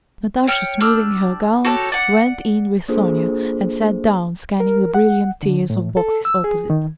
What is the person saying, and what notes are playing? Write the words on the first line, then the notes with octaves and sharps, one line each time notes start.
Natasha, smoothing her gown, went in with Sonya and sat down, scanning the brilliant tiers of boxes opposite.
C#5 G5 F6
D4 G4 E6 F6
F#4 G4 A4 C#5
D5 F#5
A#3 D4 F4 G#4 A4 C5
A#4
F#5
D3
A2
A4
E6
G#4
D#3